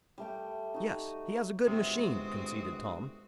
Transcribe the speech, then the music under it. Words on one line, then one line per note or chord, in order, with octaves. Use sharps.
"Yes, he has a good machine," conceded Tom.
G3 A3 G5
D#4 F#4
G1 C3 G#3 C4 F#4 D#6